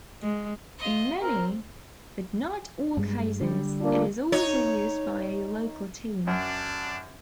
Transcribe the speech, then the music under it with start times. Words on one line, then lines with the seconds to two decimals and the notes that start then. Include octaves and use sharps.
In many, but not all cases, it is also used by a local team.
0.22 G#3
0.79 F4 D#5
1.22 C4 A#4
2.97 G2 G#3
3.41 D3 G3
3.81 A#3 D4 F4
4.32 D#4 C#5
6.27 F#2 D4